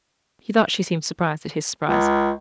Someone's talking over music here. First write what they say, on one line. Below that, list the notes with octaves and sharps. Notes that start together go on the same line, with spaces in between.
He thought she seemed surprised at his surprise.
C#2